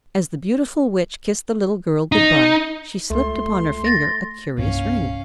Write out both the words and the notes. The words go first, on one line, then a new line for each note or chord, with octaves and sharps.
As the beautiful Witch kissed the little girl good-bye she slipped upon her finger a curious ring.
D#4
C#2 A3 C6
A6 A#6
C2 G2 A#3 C#4 F5